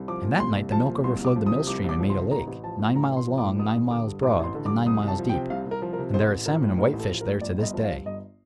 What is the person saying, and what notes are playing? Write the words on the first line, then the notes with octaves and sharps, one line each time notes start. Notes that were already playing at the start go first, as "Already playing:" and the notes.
And that night the milk overflowed the mill-stream and made a lake, nine miles long, nine miles broad, and nine miles deep; and there are salmon and whitefish there to this day.
Already playing: C2
F3 D6
A#2
C2 C6
C2
F3 A5
A#2
C2 C6
C2 D6
F3
D#6
C3
C2 D6
C2
D6
F3
C6
C3
A1 A#5
A1
F3 A5
A2
A1 A#5
A1
C6
F3
D6
A2
A1 D#6
A1
D3 D6
G2
A1 D6
A1 C6
D3
D6
G2
C2 D#6
C2
A5
F3
G5
C3
C2 F5
C2
A#4
F3
A#4
C3
A1 C5
A1
F3 A#4
A2
A1 A#4
A1
A4
F3
A#4
A2
G1 D5
G1 D#5
F3
F5
G2
G1 D#5